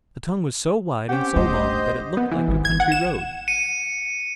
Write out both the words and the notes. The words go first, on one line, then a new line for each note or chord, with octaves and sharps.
The tongue was so wide and so long that it looked like a country road.
C4 C#4 G4 F#5 G5
A3 D4 C5 D#5 G6
B3
E3
G#1
G#6
F#5
E7
C#7 D#7